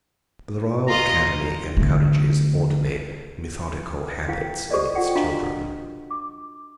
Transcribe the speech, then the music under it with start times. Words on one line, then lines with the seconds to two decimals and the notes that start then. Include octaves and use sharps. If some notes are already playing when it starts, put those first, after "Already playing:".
The Royal Academy encourages orderly, methodical habits in its children.
0.88 F4 D#5 A#5
1.77 D3 A3
4.28 E4 F5 G5
4.71 G4 A4 C5 D5 D#5
4.95 F4 D5 F#5 G5
5.15 D4 F#4 D#5 F5 A#5
6.11 D6